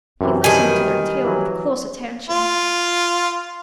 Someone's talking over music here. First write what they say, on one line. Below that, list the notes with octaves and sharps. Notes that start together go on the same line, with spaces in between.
He listened to their tale with close attention.
F#2 C3 E3
D#3 G3 G#5
E3 F#3
F4